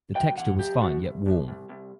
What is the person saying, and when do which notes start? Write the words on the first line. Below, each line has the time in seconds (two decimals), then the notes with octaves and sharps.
The texture was fine yet warm.
0.16 F#2 G5
0.38 E3 F#5
0.59 F#2 G4
0.81 F#2 F#4
1.03 C2
1.26 C2
1.48 C2
1.69 C2